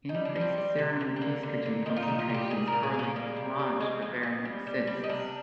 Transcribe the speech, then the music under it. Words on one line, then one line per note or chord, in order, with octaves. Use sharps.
Increased serum estrogen concentrations correlate with large ovarian cysts.
D#4
G3
D4
G3
C4
G3
C3
C3
C4
D3 A#3
D3
D3
D#3 C4
F4
D#4
C3
F4
G3 G4
A#2 G#4
A#4
A#2
G#4
A#2
A#3
G3 A#3
C3
G3
G#3 C4
F3
A#2
G3
G3
G3
D#4
C3 D4